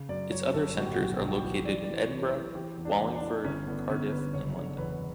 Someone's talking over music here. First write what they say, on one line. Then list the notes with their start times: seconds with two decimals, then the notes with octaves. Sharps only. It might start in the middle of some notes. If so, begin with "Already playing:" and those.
Its other centres are located in Edinburgh, Wallingford, Cardiff and London.
Already playing: C#3
0.09 F#2 D5
0.31 F#2 C#5
0.53 G1 A4
0.76 A2 F#4
0.86 G4
0.94 F#4
0.98 B1 G4
1.11 F#4
1.19 B1 G4
1.27 F#4
1.36 G4
1.43 E3 F#4
1.65 E3 D5
1.84 D5
1.89 E3
1.96 C#5
2.11 E3
2.26 B4
2.33 E3
2.55 E3 G4
2.77 E2
2.85 D4
3.01 E2
3.15 D4
3.22 E3
3.44 G1 C#4
3.67 D3 B3
3.89 G1 C#4
4.12 G1 B4
4.34 F#1 C#5
4.56 D3 C#5
4.78 E2 B4